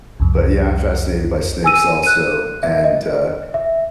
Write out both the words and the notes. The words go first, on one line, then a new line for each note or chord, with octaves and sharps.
but, yeah, I'm fascinated by snakes also, and, uh
C2 F2
G#5 E6 D#7
F#6 D#7
E5
D#5
E5